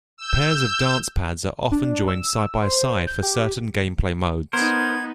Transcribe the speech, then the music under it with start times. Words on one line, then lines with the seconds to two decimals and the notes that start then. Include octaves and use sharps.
Pairs of dance pads are often joined side-by-side for certain gameplay modes.
0.17 E6 G6
1.72 D4
2.08 E6
2.62 C5
3.07 G6
3.23 G4
4.53 B3 D#4 A#4 C5 G#6